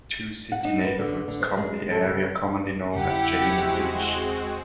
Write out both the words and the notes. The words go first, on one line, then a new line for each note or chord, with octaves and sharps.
Two city neighbourhoods cover the area commonly known as "Jane and Finch".
F#5
D#4
B4
D3
D3
C5
G#3
A4
C#3
E2 C#3 G3 E4 G4 F#5
G#3 C4 F#4